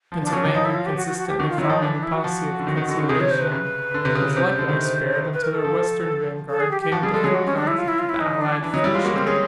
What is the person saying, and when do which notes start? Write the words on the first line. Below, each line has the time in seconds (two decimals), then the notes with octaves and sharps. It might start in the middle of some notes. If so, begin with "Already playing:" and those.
Pennsylvania, consistently following a policy of conciliation, was likewise spared until her western vanguard came into full conflict with the allied French and Indians.
0.12 F3
0.22 D4
0.27 F3
0.33 F#3 C#4
0.43 F#3 D4
0.54 F3 D#4
0.65 E4
0.75 F4
0.86 G4
0.96 F#4
1.07 F#4
1.18 F#4
1.28 G4
1.39 D#3 F#4
1.50 F4
1.58 F#3 E4
1.70 F3 D#4
1.81 E3 D4
1.93 D4
2.03 E4
2.14 F#4
2.24 F3
2.60 D3
2.67 D#3
2.77 D#3
2.88 D3
2.99 C#3
3.09 C3 G#4
3.20 C#5
3.30 C5
3.41 B4
3.52 C#3
3.94 D3
4.05 C3
4.15 C#3
4.37 C3 C5
4.48 C#3
4.58 D3
4.69 D#3
5.33 B4
5.43 A#4
5.54 A4
5.64 F3
6.50 A4
6.60 G#4
6.71 G4
6.82 G4
6.92 F3 F#4
7.03 G3 G#4
7.14 G#3 A4
7.24 F#3 G#4
7.35 F#4
7.46 C#4
7.56 D4
7.67 E4
7.78 F4
7.88 E4
7.99 F4
8.09 E4
8.20 E3 D#4
8.41 D4
8.62 E3 D4
8.73 F#3 D#4
8.84 G3 E4
8.94 G#3 F4
9.05 A#3 F#4
9.16 C4 A#4
9.27 C#4 G#4